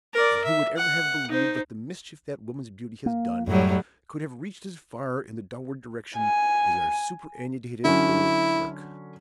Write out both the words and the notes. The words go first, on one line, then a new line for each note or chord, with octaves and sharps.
And who would ever have believed that the mischief that woman's beauty has done could have reached as far in the downward direction as our superannuated old clerk?
A#4 D5
E5
F#5
D#4 C5
A#3
F#2 A2 F#3 G3
G#5
D3 F#3 C#4 E4